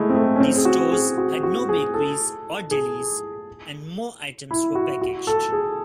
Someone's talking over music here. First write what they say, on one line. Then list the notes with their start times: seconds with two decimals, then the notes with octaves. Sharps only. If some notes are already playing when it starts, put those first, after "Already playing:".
These stores had no bakeries or delis and more items were packaged.
Already playing: G#3 A3 E4
0.09 C4
0.15 A3
0.36 C#4
0.40 C4
0.57 G#4
0.65 F#4
0.92 G#4
1.18 F#4
1.43 F#4
1.69 G#4
1.94 A4
2.71 G#4
4.51 E4
4.75 F#4
5.02 F#4
5.27 A4
5.52 G#4